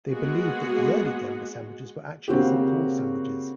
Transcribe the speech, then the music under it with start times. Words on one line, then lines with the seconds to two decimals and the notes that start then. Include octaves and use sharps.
They believed that the early Denver sandwiches were actually Saint Paul sandwiches.
0.10 G#3 A#3 B3 F#4 G#4 F#5
2.28 C#3 A#3 C4 F#4 G4